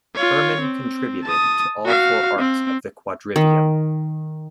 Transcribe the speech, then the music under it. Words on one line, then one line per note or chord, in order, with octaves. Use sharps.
Hermann contributed to all four arts of the quadrivium.
F4 C#5
C4
A5 D#6
F#4 F5
C4
D#3